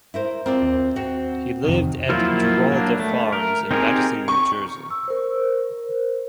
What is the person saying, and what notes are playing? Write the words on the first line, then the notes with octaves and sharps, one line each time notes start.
He lived at Giralda Farms in Madison, New Jersey.
E4 A#4 C5
C4 F4 A#4 D5
D#2
C4 F#4
F2 C3 D#3
F3 F#3 A#3 E4 F4
F#3 A#3 D4
A3
A#4
C4 D#4 G4 G#4 A#4
C#6
E6
A#4 C5